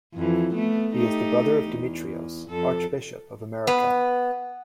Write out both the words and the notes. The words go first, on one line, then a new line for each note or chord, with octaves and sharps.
He is the brother of Demetrios, Archbishop of America.
F2 E3
A3 B3
A3 D#4 G4
E2
F2 A4
B3